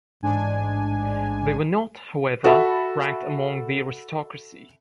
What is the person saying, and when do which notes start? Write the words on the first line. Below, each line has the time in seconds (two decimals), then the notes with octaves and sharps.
They were not, however, ranked among the aristocracy.
0.22 A1 G#2 G#3 D4 G#5
2.44 F#4 A4 E5 B5